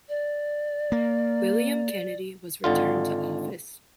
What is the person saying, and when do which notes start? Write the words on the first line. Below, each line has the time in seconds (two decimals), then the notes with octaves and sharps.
William Kennedy was returned to office.
0.09 D5
0.92 A#3
2.64 G#1 D3 F4